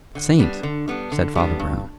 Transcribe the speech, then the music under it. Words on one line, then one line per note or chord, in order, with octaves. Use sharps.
"A saint," said Father Brown.
D3
G3 B3 D4
D3
G3 B3 D4
D3
G3 B3 D4
G2